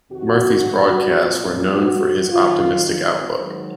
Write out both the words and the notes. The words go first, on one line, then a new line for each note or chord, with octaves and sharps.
Murphy's broadcasts were known for his optimistic outlook.
F2 C3 D#3 F#4
A#2 F3 F4
F#4
F2 D#3 F#3 F4
G#2 D#3 F#3